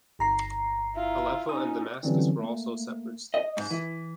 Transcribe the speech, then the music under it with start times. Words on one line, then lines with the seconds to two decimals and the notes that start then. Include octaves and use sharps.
Aleppo and Damascus were also separate states.
0.19 G1 A#5 C7
0.96 E4 F4
1.49 C#4 D#4 D#6
2.03 D3 E3 F#3 G3 C4 C#4
2.39 A3 A#3
3.34 D#5
3.57 G#2
3.70 E3